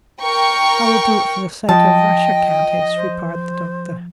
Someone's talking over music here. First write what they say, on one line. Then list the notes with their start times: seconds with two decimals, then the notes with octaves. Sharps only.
"I will do it for the sake of Russia, countess," replied the doctor.
0.19 A#4 G5 C#6
1.69 F3 D#5 G5 A5
2.96 C5